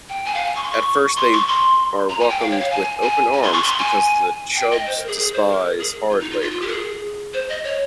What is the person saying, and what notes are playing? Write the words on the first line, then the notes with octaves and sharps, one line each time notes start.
At first they are welcomed with open arms because the Chubs despise hard labor.
G5
G#5
F5
G#5
C#6
C6
C#6
C6
C#6
C6
A#5
G#5
G5
F5
C#5
F5
G#5
G#5
G#5
C6
C#6
C6
G#5
G5
D#5
C5
A#4
G#4
G#4
C5
A#4
G#4
F4
D#4
F4
F4
F4
G4
A#4
G#4
C5
D#5
C#5